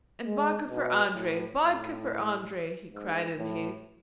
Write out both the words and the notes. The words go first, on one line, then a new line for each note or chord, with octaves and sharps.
"And vodka for Andrey, vodka for Andrey!" he cried in haste.
G#3
B2
A2
A2
G#2
A2